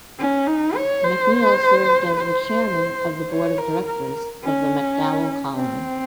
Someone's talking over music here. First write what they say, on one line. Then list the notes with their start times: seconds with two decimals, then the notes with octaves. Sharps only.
MacNeil served as the Chairman of the Board of Directors of the MacDowell Colony.
0.19 C#4
0.47 D#4
0.76 C#5
1.04 C5
2.16 C5
3.30 C#5
3.58 A#4
3.86 A#4
4.43 C#4
5.56 C4